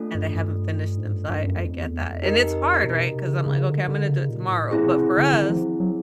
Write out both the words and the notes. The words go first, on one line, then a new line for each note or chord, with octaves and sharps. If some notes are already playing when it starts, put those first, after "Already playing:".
and I haven't finished them, so I I get that. And it's hard, right? 'Cause I'm like, "Okay, I'm gonna do it tomorrow." But for us,
Already playing: A3 D4 F4 A4
G2
G2
G#2
G2
G2
F#2
F2
E2
F2
D#4 G4 A#4 D#5
B2
C3
C#3
C#3
D3
D3
C#3
A#2
A2
A#2 C4 E4 G#4
C3
D3
D#3
F3
F#3